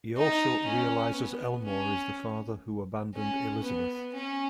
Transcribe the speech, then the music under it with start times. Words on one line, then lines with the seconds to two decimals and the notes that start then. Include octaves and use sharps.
He also realizes Elmore is the father who abandoned Elizabeth.
0.17 D#4
0.66 C#4
1.15 B3
1.65 C#4
3.14 C#4
3.63 B3
4.13 C#4